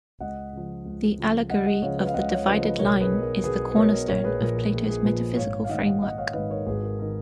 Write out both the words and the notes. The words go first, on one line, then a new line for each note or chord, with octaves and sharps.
The Allegory of the Divided Line is the cornerstone of Plato's metaphysical framework.
C#2 D#5 F#5
C#3 F3
C#2
C#3 F3
C#2 D#5 F#5
D#5 F#5
C#3 F3 C#5 F5
B4 D#5
F5
C#2 D#5 F#5
C#5 F5
C#3 F3 B4 D#5
B4 D#5
B1 A#4 C#5
G#4 B4
B2
A#4
B1 G#4 B4
B4
B2 A#4 C#5
A#1 A#4 C#5
G#4 B4
A#2 F3 A#4
A#4
A#1 G#4
G#4
A#2 F3 G#4 B4
G#1 C#5 F5
F5
G#2 D#3 D#5 F#5
G#1 D#5 F#5
C#5 F5
G#2 D#3 B4 D#5
A#4 C#5
G#1 G#4 B4
A#4
D#3 A#4